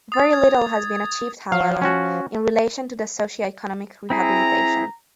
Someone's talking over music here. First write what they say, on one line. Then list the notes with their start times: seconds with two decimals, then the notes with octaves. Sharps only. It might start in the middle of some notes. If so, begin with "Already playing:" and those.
Very little has been achieved however, in relation to the socio-economic rehabilitation.
0.12 D#6 A6
0.33 G#6
1.52 F3 F5
1.82 C#4 F#4
4.10 C4 E4 G#4 A#5